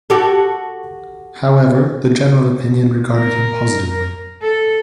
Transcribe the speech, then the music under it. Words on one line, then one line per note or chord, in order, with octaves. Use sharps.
However the general opinion regarded him positively.
F#4 G4 A4
A#4
A4